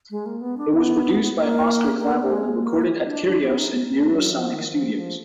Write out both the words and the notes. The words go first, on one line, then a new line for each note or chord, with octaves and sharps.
It was produced by Oscar Clavel and recorded at Kirios and Eurosonic studios.
G#3
A#3
B3
D4
B3
A#3
A#3
B3
A#3
G#3
A#3
D4
D4
B3
D#4
A#3
F#3
F3
D#3
F3
F3